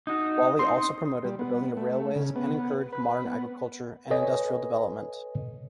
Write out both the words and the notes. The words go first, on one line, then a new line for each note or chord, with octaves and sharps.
Lawley also promoted the building of railways and encouraged modern agriculture and industrial development.
D#4 F#4
C4 D#4 C6
G3
B3
A3
C#3
B3
B4
B3
A4 B4 C#5 D#5 G#5